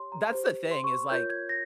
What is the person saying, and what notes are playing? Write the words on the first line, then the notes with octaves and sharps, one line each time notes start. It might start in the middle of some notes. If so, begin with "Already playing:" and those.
That's the thing is, like,
Already playing: G4 C#5 C6
A#5
G4 C5
C6
C#6
F4 A#4 C#5 G6
G#6
A#6